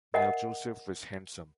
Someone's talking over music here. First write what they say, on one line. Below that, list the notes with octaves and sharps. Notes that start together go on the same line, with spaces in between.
Now Joseph was handsome.
A#4 D#5 E5 F#5 G#5